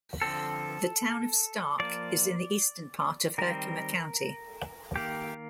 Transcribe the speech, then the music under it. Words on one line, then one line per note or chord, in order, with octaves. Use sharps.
The Town of Stark is in the eastern part of Herkimer County.
D3 F3 C4 A4
F3 A#3 D5
D#3 G3 C4 A#4
D#3 A#3 G4